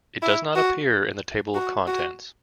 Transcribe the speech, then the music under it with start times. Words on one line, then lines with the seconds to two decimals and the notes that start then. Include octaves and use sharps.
It does not appear in the table of contents.
0.22 E4
0.56 F#4
1.55 F#4
1.87 F#4